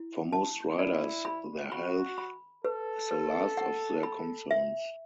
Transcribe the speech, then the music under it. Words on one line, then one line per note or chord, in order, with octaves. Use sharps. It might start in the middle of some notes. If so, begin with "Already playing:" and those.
For most riders, their health is the last of their concerns.
Already playing: E4
A5
E4 D5
B5
F#4 B5
B5
A4 B4
B4
F#5
B5
E5